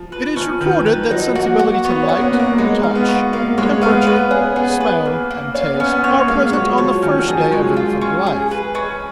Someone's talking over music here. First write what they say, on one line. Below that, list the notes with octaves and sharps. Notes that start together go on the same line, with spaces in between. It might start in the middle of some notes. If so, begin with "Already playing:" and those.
It is recorded that sensibility to light, touch, temperature, smell and taste are present on the first day of infant life.
Already playing: F3
B4
F3 C#4
D#3 B4
F3 B4
F#3 D#4
A#3 F#4
F#4
B3 C#5
C#4
F#5
A#3
B3
F#4
A#3
G#3 D#4
F5
B3
F#4
A#3 F5
G#3 C#5
B3 F5
B3 B4
C#4 G#4
B3 G#4
B4
A#3
A#3
C#4 F5
B3
C#4
B3
C#5
A#3
G#3 F5
F#3 C#5
F3 C#5
D#3 C#4
F#3
F3 G#4
G#3 C#4
F4
C#4
G#4
B4
C#4